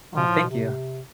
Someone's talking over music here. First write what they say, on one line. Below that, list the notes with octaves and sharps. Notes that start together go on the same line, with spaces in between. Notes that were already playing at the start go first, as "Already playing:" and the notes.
Oh, thank you.
B2 F3
A2
B2
C3